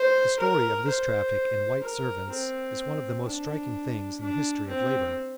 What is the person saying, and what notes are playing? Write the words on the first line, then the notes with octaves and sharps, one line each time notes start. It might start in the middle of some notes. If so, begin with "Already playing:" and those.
The story of this traffic in white servants is one of the most striking things in the history of labor.
Already playing: C5
A#4
C5
A#4
C4
D4
D4
C4